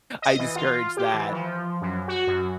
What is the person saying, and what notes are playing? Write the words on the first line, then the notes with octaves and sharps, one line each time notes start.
I discourage that,
D#5
E3
F4
G4
E3
F3
F#2
F#4
F#2